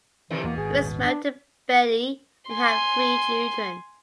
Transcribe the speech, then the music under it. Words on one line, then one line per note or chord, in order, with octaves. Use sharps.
He was married to Betty and had three children.
A2 C3 D#3 E3
E2 B2 E3 A#3
G#1 G#4
D#1 G#1
D4
G#5 C6